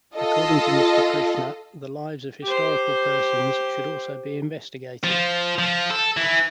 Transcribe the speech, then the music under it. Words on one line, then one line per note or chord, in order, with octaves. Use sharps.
According to Mr. Krishna the lives of historical persons should also be investigated.
F4 A4 D#5
G4 C5
F3
F3
A4
E3